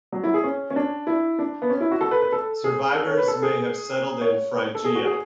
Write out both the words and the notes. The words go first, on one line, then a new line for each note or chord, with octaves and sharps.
Survivors may have settled in Phrygia.
F#3
E4
G#4
C#4
C#4
D4
E4
D4
B3
C#4
E4
F#4
A4
B4
B4
A4
G#4
A4
C#5
B4
A4
G#4
C#5
A4
G#4
F#4
G#4